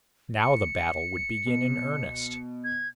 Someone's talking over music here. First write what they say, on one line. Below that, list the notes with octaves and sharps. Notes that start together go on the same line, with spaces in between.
Now the battle would begin in earnest.
C#7
B2
G#6